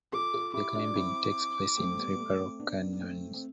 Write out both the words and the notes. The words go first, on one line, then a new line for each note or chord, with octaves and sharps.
The climbing takes place in three parallel canyons.
F4 A4 D6
F4 A4
E4 G4 D6
D4 F4
F4
C4 E4
A3 C4
G3 B3
B3
A3
A3 C4
B3 D4
D4
A3 C4
C4